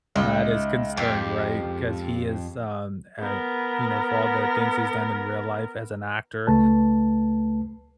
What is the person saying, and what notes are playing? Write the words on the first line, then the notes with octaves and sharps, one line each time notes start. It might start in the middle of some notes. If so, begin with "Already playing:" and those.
that is concerned, right? 'Cause he is, um, I you know, for all the things he's done in real life as an actor,
C#2 D#4 D#5 E5
F2 G4
B3 A#4
C#2 A3 B4 A5